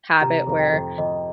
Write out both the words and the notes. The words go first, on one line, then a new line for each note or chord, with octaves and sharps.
habit where
C3 A#5
F2 A#5
G5
F2
F2 D#5